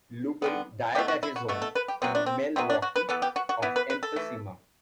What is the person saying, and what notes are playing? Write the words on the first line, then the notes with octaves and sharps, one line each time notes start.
Lubell died at his home in Milwaukee of emphysema.
D3 G3 B3
B2 A3 G4
F#4
E4
F#4
B2 A3 F#4
A4
B4
G4
C3 F#3 B3 C4
D4
C4
C3 F#3 B3 C4
D4
F#4
B4
E3 B3 A4
G4
F#4
F#4
E3 B3 E4
B4
B4
A4
E3 A3